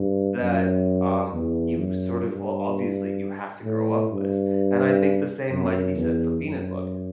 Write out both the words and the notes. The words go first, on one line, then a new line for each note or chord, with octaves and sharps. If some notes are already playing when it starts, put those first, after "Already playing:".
that, um, you sort of well, obviously, you have to grow up with, and I think the same might be said for peanut butter
Already playing: G2
F#2
E2
F#2
G2
A2
G2
F#2
E2
F#2